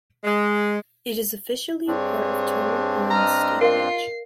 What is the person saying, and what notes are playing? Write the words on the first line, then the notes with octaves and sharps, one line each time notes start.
It is officially part of Torrey Pines State Beach.
G#3
G2 C4 D4 G#4 C#5
D#5 A#5 F6
F4 A#4 D#5 F5 C7